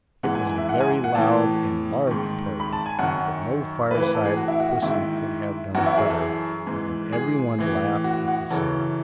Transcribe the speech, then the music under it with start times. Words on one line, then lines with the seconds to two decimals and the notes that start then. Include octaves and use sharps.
It was a very loud and large purr, but no fireside pussy could have done it better, and every one laughed at the sound.
0.23 G#2 E3 F#5
0.35 G#5
0.47 G#5
0.58 E5
0.69 F#5
0.81 G#5
1.04 F#5
1.15 A2 E3 A5
2.07 G#2 D#3
2.60 B5
2.73 A5
2.86 G#5
2.99 F#2 D#3 F#5
3.91 A2 E3 B4
4.03 B4
4.14 A4
4.25 G#4
4.37 F#4
4.48 E4
4.60 F#4
4.71 F#4
4.82 G#2 D#3 E4
5.75 F#2 E3 F#4
5.86 E4
5.97 G#4
6.10 A4
6.21 G#4
6.67 G#2 E3
7.13 G#4
7.59 A2 E3
8.04 F#4
8.28 F#4
8.50 F#2 C#3 E3 A4